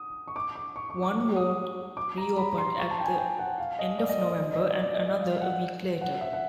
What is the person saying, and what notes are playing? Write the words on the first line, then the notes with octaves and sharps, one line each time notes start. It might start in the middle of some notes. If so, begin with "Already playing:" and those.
One ward reopened at the end of November and another a week later.
Already playing: D#6
C#6
D6
D6
C#6
C#6
D6
D6
D#6
D6
A#5
B5
C6
C#6
A5
G5
G#5
G5
F#5
F5
D#5
D5
D#5
D5
D5
D#5
D#5
D5
D5
D#5
D#5
F5
F#5
F#5
E5
F#5